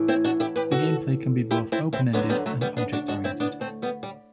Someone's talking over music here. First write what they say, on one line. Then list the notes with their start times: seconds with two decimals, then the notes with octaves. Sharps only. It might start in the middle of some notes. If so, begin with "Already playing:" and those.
The gameplay can be both open-ended or object-oriented.
Already playing: A2 E3
0.08 C4 E4
0.24 D4 F#4
0.40 E4 G4
0.56 G4 B4
0.72 F#4 A4
1.51 E4 G4
1.72 C4 E4
1.93 C4 E4
2.13 D2 D3 F#3 B3 D4
2.29 G3 B3
2.46 F#3 A3
2.61 G3 B3
2.77 B3 D4
2.92 D4 F#4
3.08 D4 F#4
3.24 C4 E4
3.40 B3 D4
3.61 A3 C4
3.82 G3 B3
4.03 G3